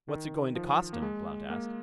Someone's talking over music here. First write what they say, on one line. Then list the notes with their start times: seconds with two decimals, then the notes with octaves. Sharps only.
"What's it going to cost him?" Blount asked.
0.08 D#3
0.55 F3
0.93 A#3
1.02 G#3
1.50 A#3